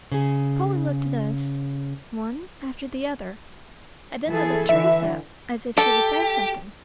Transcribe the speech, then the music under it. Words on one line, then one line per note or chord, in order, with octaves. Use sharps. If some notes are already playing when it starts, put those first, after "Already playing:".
Paula looked at us, one after the other, and then looked at Teresa as if she would say something.
C#3 G#4
E3 G#4 A4
D3 E3 E5
G4 A4